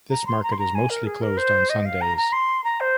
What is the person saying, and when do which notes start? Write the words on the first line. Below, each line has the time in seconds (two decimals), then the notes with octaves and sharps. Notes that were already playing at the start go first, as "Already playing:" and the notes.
This market is mostly closed on Sundays.
0.10 A#5
0.26 C6
0.42 A#5
0.51 C6
0.58 A#5
0.74 G#5
0.89 A#4
1.06 G#4
1.21 A#4
1.37 C5
1.69 D#5
1.85 F5
2.01 A#5
2.17 A#5
2.32 C6
2.63 A#5
2.80 C5